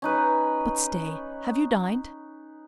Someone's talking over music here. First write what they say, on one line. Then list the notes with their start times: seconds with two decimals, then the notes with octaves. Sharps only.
"But stay--have you dined?"
0.02 C#4 D#4 B4